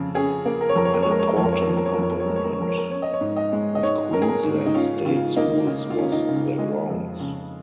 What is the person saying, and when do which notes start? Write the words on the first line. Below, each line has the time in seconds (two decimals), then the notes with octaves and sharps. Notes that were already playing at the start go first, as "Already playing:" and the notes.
An important component of Queensland state schools was their grounds.
Already playing: F2 C#3
0.15 C#4 G#4
0.46 A#3
0.61 A#4
0.69 C#5
0.75 F2 A#4
0.85 C#5
0.94 A#4
1.02 C#5
1.06 G#3 A#4
1.19 C#5
1.27 A#4
1.36 F2 C#5
1.43 A#4
1.52 C#5
1.61 A#4
1.68 F3 C#5
1.77 A#4
1.85 C#5
1.94 A#4
1.98 F2 C#5
2.10 A#4
2.20 C#5
2.28 G#3 A#4
2.36 C#5
2.44 A#4
2.53 C#5
2.61 F2 A#4
2.69 C#5
2.78 A#4
2.91 C#4 C#5
3.02 D#5
3.13 C#5
3.21 G#2
3.36 D#5
3.53 G#3
3.75 D#5
3.83 G#2 C#5
4.13 C#4 A#4
4.22 G#4
4.29 A#4
4.44 G#2
4.66 D#4
4.74 C#4 F4
5.05 C#3 F4
5.36 A#3 D#4
5.67 C#3 D#4
5.90 F4
5.98 C#4
6.12 D#4
6.29 C#3
6.36 F4
6.58 G#3 D#5
6.90 F2
7.20 C#3